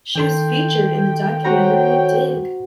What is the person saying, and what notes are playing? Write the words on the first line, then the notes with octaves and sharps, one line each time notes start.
She was featured in the documentary Dig!
D#3 A4 G5 C6
C4 F#4 C#5 A#5